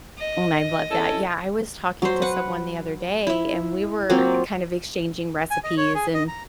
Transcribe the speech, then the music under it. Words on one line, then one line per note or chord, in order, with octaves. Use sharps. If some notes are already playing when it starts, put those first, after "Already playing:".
and I love that. Yeah, I was talking to someone the other day, and we were kind of exchanging recipes, and
D#5
C#4 E4 A4
F#3 C5
B4 F#5
E4 E5
F#3 A#3 C4 F4
G#5
D#5
C#5
G#4
D#5
A#5